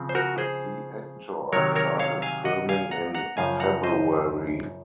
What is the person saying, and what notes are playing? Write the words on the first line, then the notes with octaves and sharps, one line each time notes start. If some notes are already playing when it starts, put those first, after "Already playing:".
The actor started filming in February.
Already playing: C#3 F3 C4
C5
F#4 A#4
G#4 C5
C3 D#3 F#3 A#4 C#5
A#4 C#5
C#5 F5
F5 G#5
D#5 F#5
F5 G#5
F#5 A#5
F#5 A#5
F#2 C#3 F3 F5 G#5
F#5 A#5
C5 D#5